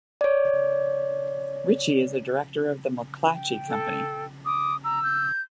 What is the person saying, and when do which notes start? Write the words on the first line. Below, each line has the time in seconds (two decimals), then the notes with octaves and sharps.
Ritchey is a director of The McClatchy Company.
0.21 C#5 D5
3.34 G5
3.68 A4
4.46 D6 D#6
4.84 A#5 E6
5.04 G6